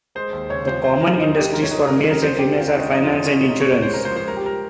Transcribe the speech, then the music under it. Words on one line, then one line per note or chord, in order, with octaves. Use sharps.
The common industries for males and females are finance and insurance.
G#3 C5
D#2
C#3 C#5
F3 C5
D#2 C5
D#2 A#4
D#3 D#4
G#3 G4
C#2 A#4
C#5
C#2 D#4
G#4
C#3 A#4
G3
A#4
D#2 C5
D#2 G4
C#3 F4
D#4
G#3 C#4
D#4
F2 D#4
F4
F2
G#4
C#3 C#4
G#3
D#4
C#2 C#5
C#5
C#2
C5
C#3 A#4
C5
F3
C5
G3 A#4
G4
A#4